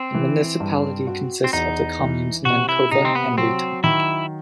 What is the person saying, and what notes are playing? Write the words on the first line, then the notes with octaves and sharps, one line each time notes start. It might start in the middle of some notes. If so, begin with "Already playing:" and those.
The municipality consists of the communes Nancova and Rito.
Already playing: C4
E3
G2
F#4
C4
E2 D#4
E3
C3 F#4
E4
C3 D#4
C4
B3
F#3 C4
D#3 E4